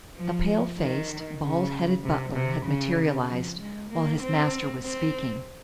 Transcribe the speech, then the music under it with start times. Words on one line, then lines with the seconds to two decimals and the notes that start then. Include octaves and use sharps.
A pale-faced, bald-headed butler had materialized while his master was speaking.
0.17 F3
0.78 D#3
1.42 C#3
2.04 C3
2.34 C3
2.66 C#3
3.28 F3
3.60 G#3
3.91 A#3
4.22 C4
4.84 C4